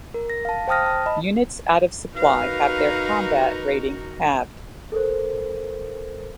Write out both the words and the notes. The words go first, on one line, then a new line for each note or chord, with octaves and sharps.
Units out of supply have their combat rating halved.
A#4
A#6
F5 A5
C5 G5 A5 D#6 F6 A#6
A5
D#5 B5
D#4 F#4 A#4 B4 F5
A4 A#4 C5